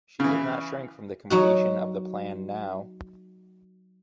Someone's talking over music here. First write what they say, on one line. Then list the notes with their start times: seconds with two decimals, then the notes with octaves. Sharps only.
She did not shrink from the completion of the plan now.
0.20 C#3 E3
1.30 F#3 D#4 F#4